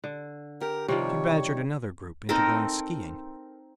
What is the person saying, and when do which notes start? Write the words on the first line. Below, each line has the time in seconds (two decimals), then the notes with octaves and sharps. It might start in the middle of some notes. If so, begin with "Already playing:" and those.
She badgered another group into going skiing.
0.04 D3
0.61 G4 A#4
0.88 C3 D#3 F3 G3 C#5
2.29 C4 D#4 A4 A#4